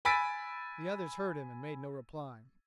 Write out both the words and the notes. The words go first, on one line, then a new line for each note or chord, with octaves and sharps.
The others heard him and made no reply.
G#5 B5 E6 A6 B6 D7